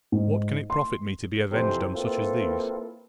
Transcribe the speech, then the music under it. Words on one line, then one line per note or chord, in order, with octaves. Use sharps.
What can it profit me to be avenged on such as these?
G#2
C6
F2 C3 E3 E4 C5
A#3 C4 E4 F4 A4 B4